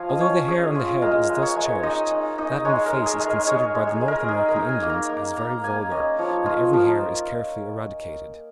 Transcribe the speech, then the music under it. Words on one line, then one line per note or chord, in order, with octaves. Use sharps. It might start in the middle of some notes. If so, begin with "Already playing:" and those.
Although the hair on the head is thus cherished, that on the face is considered by the North American Indians "as very vulgar," and every hair is carefully eradicated.
Already playing: F3 F5 G#5 A#5 C#6
D#5
C#4 C#5
C#4 G#4
F4 G#4
G#3 A#4
G#3
C#5
G#3
D#4 D#5
D#4
D#4 D#5
G#3 C#5
A#4
G#3
G#4
G#3
A#4
G#3 C#5
G#3
G#4
G#3
A#4
D#4 G#4
A#4
D#4
G#5
A#3
A#5
A#3
A#3 A#5
A#3 G#5
C#4 D#5
F3 C#5
F4 D#5
F3 A#4